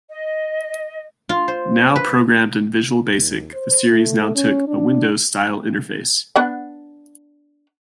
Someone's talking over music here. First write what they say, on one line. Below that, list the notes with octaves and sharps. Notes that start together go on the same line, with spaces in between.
Now programmed in Visual Basic, the series now took a Windows style interface.
D#5
F4
C5
B4
D#2
C5
A3
C#4
D4
B3 D4 F#5